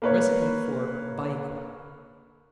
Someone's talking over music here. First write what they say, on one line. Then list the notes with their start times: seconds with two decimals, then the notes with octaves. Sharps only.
Recipe for Baikwa.
0.02 A#3 B4 C#5